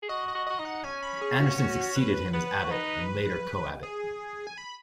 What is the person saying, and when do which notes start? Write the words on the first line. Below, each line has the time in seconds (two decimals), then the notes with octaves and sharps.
Anderson succeeded him as abbot, and later co-abbot.
0.02 G#4
0.09 F#4 D#5
0.28 D#5
0.35 F#4
0.47 F#4 D#5
0.59 D#4
0.65 F#5
0.84 C#4 G#5
1.02 B5
1.21 G#4
1.40 F#4
1.58 F#4
1.96 B4
2.33 B3 B4
2.63 F#4
2.71 D#4
3.83 G#4
4.47 G#5
4.58 B5